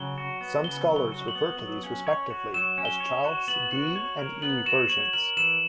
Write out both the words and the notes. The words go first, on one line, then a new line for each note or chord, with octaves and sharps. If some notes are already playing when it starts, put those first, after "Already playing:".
Some scholars refer to these respectively as Child's D and E versions.
Already playing: C#3 F#3 G7
F#4
B3
C#3 G7
F#3
G7
F#4
F#7
B3
F#3
C#4
C#5
F#4
F#3 E7
C#4
G7
C#5
F#4
B3 F#7
F#4
C#5
A#4
B3 F#7
F#4 E7
C#5 F#7
A#4 F#7
E3 E7